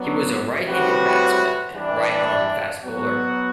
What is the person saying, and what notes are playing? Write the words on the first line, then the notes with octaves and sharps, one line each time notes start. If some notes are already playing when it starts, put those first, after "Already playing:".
He was a right-handed batsman and a right-arm fast bowler.
Already playing: F#3 B3 D4
A2 G3 C4 F#4 B4
E3 G3 D4
F#3 B3 F#4